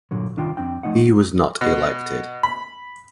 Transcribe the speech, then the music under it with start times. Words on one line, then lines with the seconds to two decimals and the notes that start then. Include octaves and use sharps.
He was not elected.
0.11 G2 A#2 D3 F#3
0.37 C2 D#3 D4 F4 G5
0.57 F2 C4 D4 G5
0.83 F3 F#3 A3 D#4 D#5 F#5
1.61 B2
2.43 B5